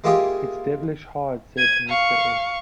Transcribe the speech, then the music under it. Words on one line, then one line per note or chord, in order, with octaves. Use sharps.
"It's devilish hard," said Mr. S..
G#3 A#3 E4 F4 G4 G#4
G#6 D#7
F5 C#6